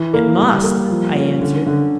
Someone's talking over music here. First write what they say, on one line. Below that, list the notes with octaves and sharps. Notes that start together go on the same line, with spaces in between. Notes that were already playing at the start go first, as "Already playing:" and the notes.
"It must," I answered.
Already playing: E3
A#3
G3
A#3
F3
C#4
D3
D3